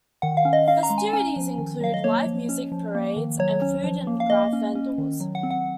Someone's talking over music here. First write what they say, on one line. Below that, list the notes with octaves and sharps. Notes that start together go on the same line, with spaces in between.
Festivities include live music, parades, and food and craft vendors.
D#3 F#5
F5
C#4
D#5
C#4 F5
A#5
G#3
G#5
C#4 G#5
F3
D#3
F#3 F5
D#5
A#3 C#5
F3
C#4
F3
A#3
D#3
F#3 C#5
C#4
F3
A#3
F5
A#3 D#5
C#4
C#4
D#3
F#3
F#5
C4
F#5